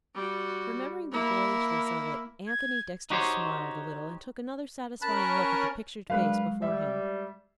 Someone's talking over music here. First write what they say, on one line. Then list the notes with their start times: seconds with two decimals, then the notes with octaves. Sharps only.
Remembering the boyishness of it, Anthony Dexter smiled a little and took another satisfying look at the pictured face before him.
0.15 G3 F#4
1.12 A#3 E4
2.47 G#6
3.10 D#4 F#4 G4 C5 C#5
5.02 C#4 A#4 A5 B5 F#6
6.10 F#3 G#3 D4 A#4 B4 F5
6.62 G3 E5